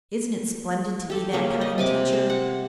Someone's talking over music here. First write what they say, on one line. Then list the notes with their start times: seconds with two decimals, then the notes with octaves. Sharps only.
"Isn't it splendid to be that kind, teacher?"
1.10 G4 A4
1.33 C#3 A#3 C#4
1.61 D#5
1.78 C3 G#5 D6
2.13 C5
2.30 F#5